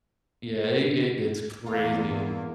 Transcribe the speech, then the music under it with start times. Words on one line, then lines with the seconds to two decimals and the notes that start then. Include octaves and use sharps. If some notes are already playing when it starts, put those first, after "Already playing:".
Yeah, it it gets crazy.
1.66 E2 A#3 F4